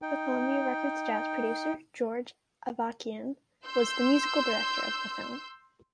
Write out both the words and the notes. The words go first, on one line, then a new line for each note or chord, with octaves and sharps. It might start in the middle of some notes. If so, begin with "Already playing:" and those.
The Columbia Records jazz producer, George Avakian, was the musical director of the film.
D#4 G5
C6 E6 G6